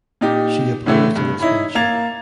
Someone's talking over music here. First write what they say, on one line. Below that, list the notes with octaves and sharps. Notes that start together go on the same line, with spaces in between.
She opposed an expansion.
A#2 D#4 G4
A2 D3 E3 A3
G2
D#4 E4 C#5 B5
A#3 G#6 A6 F7